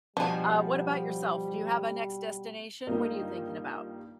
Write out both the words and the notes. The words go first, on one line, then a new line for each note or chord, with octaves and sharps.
Uh, what about yourself? Do you have a next destination? What are you thinking about?
B2 F3 G3 D4 G#5
G2 D#3 A#3 D#4 F4 D#5